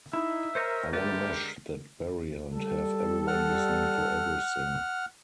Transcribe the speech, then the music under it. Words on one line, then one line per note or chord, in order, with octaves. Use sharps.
I wanna mash that barrier and have everyone listening to everything.
D#4 E4 E5
A#4 C5 C#5 D#5
D3 G#3 A3 G4 A#4 B4 D5
G3 A4
F#5 F6